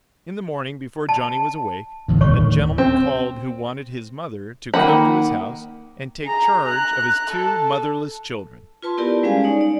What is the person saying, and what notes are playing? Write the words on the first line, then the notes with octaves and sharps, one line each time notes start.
In the morning, before Johnny was awake, a gentleman called who wanted his mother to come to his house and take charge of his two motherless children.
A5
F#1 E2 A2
D1 D#3 C#5 C#6
C4
D#3 A#3 F#5 B5
G#4 A#5
A#5 F#6
A4 A5
F4 B4 A5 C6
B3 E4 G4 A#4 D5
G3 G#3 C#4 G#4 F5 G#5
D#4 C#5 D5
D5